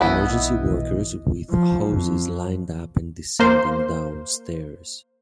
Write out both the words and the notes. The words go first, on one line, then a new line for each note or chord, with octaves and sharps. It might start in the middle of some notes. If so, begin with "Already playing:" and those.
Emergency workers with hoses lined up and descending down stairs.
B1 E3 B3 E4 D#5
F3
F2
A#3 C5